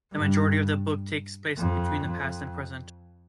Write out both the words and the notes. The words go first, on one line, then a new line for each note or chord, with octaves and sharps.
The majority of the book takes place between the past and present.
G2
F2
F2